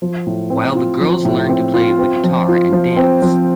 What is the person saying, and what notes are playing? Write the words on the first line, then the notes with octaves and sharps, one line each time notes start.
While the girls learned to play the guitar and dance.
F3
A2
C4
F4
F3
A2
C4
F4
C4
F3
F4
F3
C4
F3